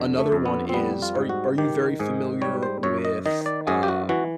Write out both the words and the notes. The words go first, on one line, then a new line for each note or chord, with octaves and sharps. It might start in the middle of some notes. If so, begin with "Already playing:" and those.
another one is are are you very familiar with, um,
Already playing: F2 D3
A3
F2
B3
C4
G3 B3
F4
G#2
F#4
D#3 G4
G#2 G#4
G3 C#5
C5
F#2 C#5
D#5
D#3 D#5
D5
F#2 G#4
G4
F#4
E3 F#4